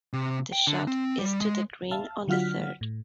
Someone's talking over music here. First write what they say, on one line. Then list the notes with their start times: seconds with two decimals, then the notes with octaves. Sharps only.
The shot is to the green on the third.
0.13 C3
0.52 G5
0.67 D3
0.87 C4
1.19 G3
1.41 G#3
1.91 E5 F5 A5
2.28 D3 F#3 F4 F#5 F6 B6
2.81 A2